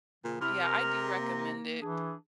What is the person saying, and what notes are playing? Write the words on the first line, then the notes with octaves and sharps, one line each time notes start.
Yeah, I do recommend it,
A#2 C#3 F3
C3 E4 F6
A#4
A#3
E3 D4 G#4